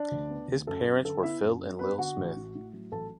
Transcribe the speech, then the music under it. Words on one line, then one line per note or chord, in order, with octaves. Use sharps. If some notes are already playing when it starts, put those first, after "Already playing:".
His parents were Phil and Lil Smith.
Already playing: D4 D5
D2
B3
D2
F#2 A4
F#2
D3 A4
B3 E4 E5
F#2
F#2
B3 B4 B5
D3 F#4 F#5
A1
A2
A2
F#3
A1 A4 A5